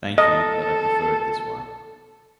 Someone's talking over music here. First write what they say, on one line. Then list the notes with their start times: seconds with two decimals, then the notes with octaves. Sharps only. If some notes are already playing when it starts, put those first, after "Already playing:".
Thank you, but i prefer it this way.
0.18 A4 D#5